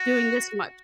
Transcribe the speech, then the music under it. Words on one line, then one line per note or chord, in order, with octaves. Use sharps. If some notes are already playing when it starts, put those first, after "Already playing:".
doing this much.
Already playing: F#4